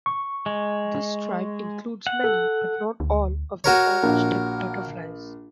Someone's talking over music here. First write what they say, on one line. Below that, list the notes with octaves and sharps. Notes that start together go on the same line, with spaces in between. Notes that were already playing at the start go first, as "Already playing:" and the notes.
This tribe includes many, but not all, of the orangetip butterflies.
C#6
G#3
F#5
A4
D2
F#4 A#4 C#5
A#1